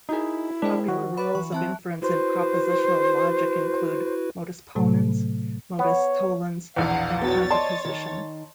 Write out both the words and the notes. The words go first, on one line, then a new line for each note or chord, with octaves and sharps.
Popular rules of inference in propositional logic include "modus ponens", "modus tollens", and contraposition.
D#4 E4 F#4 G#4 A#4
G#3 D4 A#4 C5 G5
D#3 F#4
B4 D5 B5
E3 C#6
C4 E5 A5 F#6
E4 F#4 B4 C5
A2 C3 F#3 A3
B3 C#5
E1 A#1 E2 F5 F#5
B3 F#4 C#5 A6
D5 D#5 A5 C6
D#3